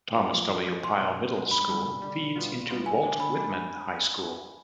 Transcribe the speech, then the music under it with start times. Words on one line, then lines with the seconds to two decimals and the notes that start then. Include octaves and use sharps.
Thomas W. Pyle Middle School feeds into Walt Whitman High School.
0.16 G2 D6
0.33 F3 G#3
0.49 G2
0.67 F3 G#3
0.84 B1 C6
1.00 B2 G#3
1.17 B1
1.34 B2 G#3
1.51 G2 B5
1.68 D3 G3
1.86 G2
2.02 D3 G3
2.19 B1
2.36 B2 G3 B3 F4
2.53 B1
2.69 B2 G3 B3 F4
2.86 D3 G#5
3.03 G#3 D4
3.20 D3 B5
3.38 G#3 D4